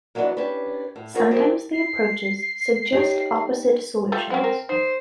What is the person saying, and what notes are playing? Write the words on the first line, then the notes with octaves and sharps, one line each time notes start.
Sometimes the approaches suggest opposite solutions.
E3 F#3 A#3 B3 D4 D#4
C#4 D4 G4 B4
A2
B3 F4 G#4 A#4 C#5
E3 F3 C4 G4 G#4 A#4
C7
D#4 G4 C#5
A3 F4 G4
C4 C#4 F#5
A#4
D#4 C5